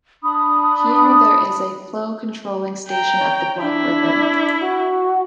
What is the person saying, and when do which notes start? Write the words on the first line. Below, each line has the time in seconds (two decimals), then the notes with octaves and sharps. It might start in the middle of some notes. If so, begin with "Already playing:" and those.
Here there is a flow controlling station of the Black river.
0.23 D4 B5 D#6
2.89 G5 A#5
3.18 C#5
3.61 D4 E4
4.61 F#4